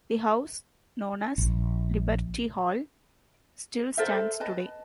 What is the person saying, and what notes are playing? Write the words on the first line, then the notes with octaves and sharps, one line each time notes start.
The house, known as "Liberty Hall", still stands today.
A#1
A4 A#4 C5 E5
B4 D#5 A5